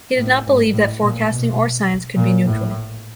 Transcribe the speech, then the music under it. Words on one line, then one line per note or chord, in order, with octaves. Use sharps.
He did not believe that forecasting or science could be neutral.
A2
G#2
A2
A#2
B2
A#2
A2